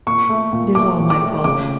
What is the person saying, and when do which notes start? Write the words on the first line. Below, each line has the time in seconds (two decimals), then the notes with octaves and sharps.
It is all my fault.
0.07 A#2 C#6
0.29 A3
0.53 A#2
0.75 A3 D6
0.99 A#2
1.10 D6
1.22 A3
1.44 C#3 D6